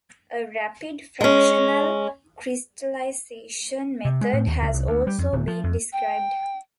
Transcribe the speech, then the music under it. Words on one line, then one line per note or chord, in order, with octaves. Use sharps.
A rapid fractional crystallization method has also been described.
G#3 C#4
C3
G#3
A2
D#2
C#2
C2
D2
G3
F2
D1
F3
F2
G5